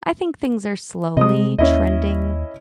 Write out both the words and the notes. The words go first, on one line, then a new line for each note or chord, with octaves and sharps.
I think things are slowly trending
C3 G#3 D#5 D#6
D#2 C#4 E4 D#5